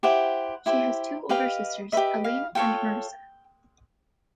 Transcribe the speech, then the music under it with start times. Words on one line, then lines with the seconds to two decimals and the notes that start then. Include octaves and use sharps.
She has two older sisters, Aileen and Marisa.
0.03 E4 G4 C5 F#5
0.66 E4 G4 C5
1.29 G4 B4 D#5 F5
1.92 G4 B4 D#5 E5
2.24 F5
2.55 F4 A4 C#5 G5